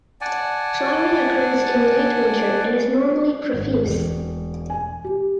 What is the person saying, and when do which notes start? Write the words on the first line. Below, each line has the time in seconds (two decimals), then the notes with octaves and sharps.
Flowering occurs in late winter and is normally profuse.
0.21 D5 F#5 G#5 A5
3.53 G#1
3.84 E1
4.70 G#5
5.04 G4